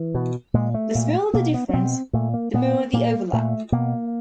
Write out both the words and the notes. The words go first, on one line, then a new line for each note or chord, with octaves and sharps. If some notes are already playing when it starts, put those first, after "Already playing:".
The smaller the difference, the more the overlap.
Already playing: E3
B2
A#2 G#3
A3
A#2
B2 A#3
B3
C#4
B2 C4
A#2 A3
A#3
A#2 B3
A#2 A#3
A#2 A3
B2 A#3